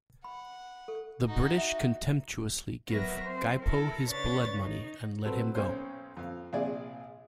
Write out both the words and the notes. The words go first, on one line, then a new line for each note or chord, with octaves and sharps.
The British contemptuously give Gypo his blood money and let him go.
F#5 B5
A4
D#4 F#4
E5
F#3 B3 A#4 B4 E5 A#6
C4 C5
E4 A4 A#4
C#3 D4 B4 C#5 A6
D#4
F#3 C4 A4 B4
B1 C#4 C5
F2 F5
A#1 C3 G#4 D5 G#5